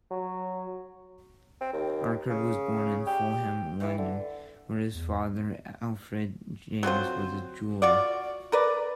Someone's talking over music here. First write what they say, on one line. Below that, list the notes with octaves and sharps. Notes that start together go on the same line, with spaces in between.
Archard was born in Fulham, London, where his father Alfred James was a jeweller.
F#3
C4
D#2
C#3
G4
E3
D3
E2
F#3 C4 F4 C5
F4 F#4 D5
A#4 B4 D5